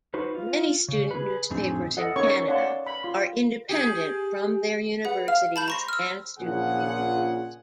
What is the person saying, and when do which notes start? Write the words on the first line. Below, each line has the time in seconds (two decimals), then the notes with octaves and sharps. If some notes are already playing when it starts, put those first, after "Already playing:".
Many student newspapers in Canada are independent from their universities and student unions.
0.14 D#4 F#4 B4 C5
0.35 F4
0.88 C#3
1.11 G#4 B4
1.50 F2 A2 D3 C4 D#4 G#4
1.97 E4 A4 D#5 F#5
2.16 C#4 D#4 A#4 C#5 C#6 D6
2.47 C#5 D5 F5 F#5 A5 C6
2.86 B5
3.03 F4 C6
3.69 G4 G#4
5.05 G#4 B4 F#5
5.28 F5 F6
5.56 A5 B5 G6
5.68 C5 A#5 C#6 A#6
5.88 E6 F6
6.39 A#1 A#2 C#3 F3 G#4 F#5